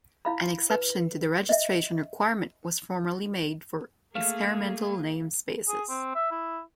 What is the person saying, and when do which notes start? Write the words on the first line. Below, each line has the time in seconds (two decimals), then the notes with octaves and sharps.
An exception to the registration requirement was formerly made for "experimental namespaces".
0.25 E4 F5 B5
0.70 B4
1.49 D#5 E5
4.15 A3 A#3 G#4 F5
5.68 G#4
5.89 C4
6.15 E5
6.31 E4